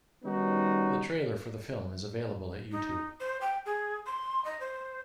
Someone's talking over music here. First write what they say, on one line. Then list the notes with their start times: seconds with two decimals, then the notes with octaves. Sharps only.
The trailer for the film is available at YouTube.
0.24 D#3 G3 B3 C#4 D#4 F#4
2.72 D#4
3.20 C5
3.41 G5
3.66 G#4
4.06 C6
4.45 D#5
4.60 C5